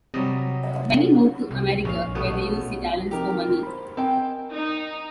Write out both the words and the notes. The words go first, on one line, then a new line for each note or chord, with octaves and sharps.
Many moved to America, where they used their talents for money.
C3 F#3 G3 D#5
C2
A#1 C#4 F5
B2 A3 B3
F3 C4 D#4 G4 A#4
C5 B5
C4 A#4 D#5 G5 G#5
D#4